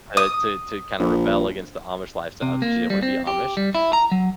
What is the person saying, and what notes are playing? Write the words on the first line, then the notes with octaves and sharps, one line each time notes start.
to to to kinda rebel against the Amish lifestyle, 'cause she didn't wanna be Amish
D#6
A#1
C3
A#3
G3
C4
G4
G3
E4
A#5
F#3